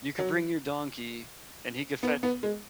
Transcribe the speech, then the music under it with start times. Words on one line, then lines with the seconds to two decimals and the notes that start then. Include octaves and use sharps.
you could bring your donkey and he could fetch"
0.19 F#3
2.03 B3
2.23 B3
2.43 G#3